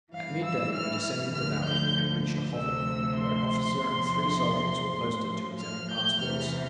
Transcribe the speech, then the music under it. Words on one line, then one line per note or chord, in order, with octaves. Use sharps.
At midday we descended the valley, and reached a hovel, where an officer and three soldiers were posted to examine passports.
G2 E3 F5
E6
F6
D2 D3 F3 F6
G6
D2 C3 F3 E6
C6
E2 C3 F3
A2 F3
F6
G6
E2 C3 E3 F6